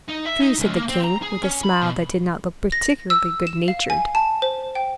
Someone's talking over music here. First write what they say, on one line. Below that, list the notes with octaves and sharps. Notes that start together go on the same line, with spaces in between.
"True," said the king, with a smile that did not look particularly good-natured.
D#4
E5
D#4
C#2
A#3
C4
A#5
G#4
C#4
B5
B2
A#6
E6
E7
F5
G#5
A5
C5
G5